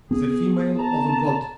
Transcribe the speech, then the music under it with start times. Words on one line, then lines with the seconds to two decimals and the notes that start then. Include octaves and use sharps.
The female of a god.
0.11 B3 G#4
0.79 A5 A#5